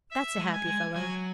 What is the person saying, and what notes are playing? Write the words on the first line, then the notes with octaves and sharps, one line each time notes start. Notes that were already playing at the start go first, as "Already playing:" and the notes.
That's a happy fellow!
E5
G#3
G#5
G#3
F#3 G#5